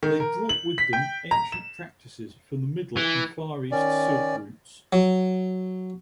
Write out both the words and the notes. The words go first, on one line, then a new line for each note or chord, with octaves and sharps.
They brought with them ancient practices from the Middle and Far East silk routes.
D#3
A#4
F#7
B6
G5
A#5
E7
E3
D#3 C#4 D5
F#3